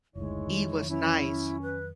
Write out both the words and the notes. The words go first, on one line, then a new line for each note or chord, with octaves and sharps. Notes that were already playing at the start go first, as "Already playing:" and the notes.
E was nice.
F#1 D2 G#3 D#4 E4 C#5
F2 D#3 F#3
C#4 E4
B4